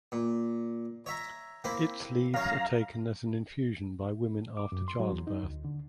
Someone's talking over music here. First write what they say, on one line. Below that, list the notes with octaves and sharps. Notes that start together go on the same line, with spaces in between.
Its leaves are taken as an infusion by women after childbirth.
A#2
C#5 E5 A#5
A#3 C4 E4
F#2 C#5 F5 A#5
D6
F#2
C6
F#3
E2
D#4
D2
D3